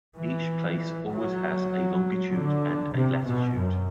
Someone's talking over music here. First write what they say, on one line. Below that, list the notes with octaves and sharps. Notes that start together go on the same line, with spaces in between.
Each place always has a longitude and a latitude.
E3
F#3
D3
C3
B2
F#2